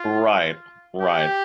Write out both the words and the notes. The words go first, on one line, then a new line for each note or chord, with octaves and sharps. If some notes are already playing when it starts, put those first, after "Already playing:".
Right, right.
Already playing: F4
G4